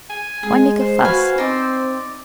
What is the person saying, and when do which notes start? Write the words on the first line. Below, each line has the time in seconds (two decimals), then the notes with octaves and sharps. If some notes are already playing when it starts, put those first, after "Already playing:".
Why make a fuss?
0.10 G#5
0.43 G#3 G#4
0.81 C5
1.04 F#4 B4 F5 G#5
1.38 C4 D#4 D5